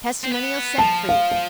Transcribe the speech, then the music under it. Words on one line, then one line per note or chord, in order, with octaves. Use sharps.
Testimonials SENT FREE.
C4
B3
F3 A5
F5
F5